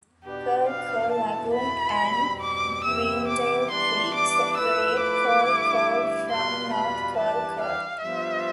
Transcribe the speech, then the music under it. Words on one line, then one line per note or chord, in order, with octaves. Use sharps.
Curl Curl Lagoon and Greendale Creek, separate Curl Curl from North Curl Curl.
B2 B3 D4 G4
F5
B2 B3 E4 A4 A5
B5
B2 G3 C4
D6
C3 E3 B3 E4 G4 E6
D6
E3 G3 B3 D4 C6
D6
F3 A3 E4 B4 E6
D6
G2 D3 A3 E4
B2 G3 B3 F4 B4 C6
B5
E3 G3 D4 G4 B4 A5
F5
G2 F3 B3 F4 C5 E5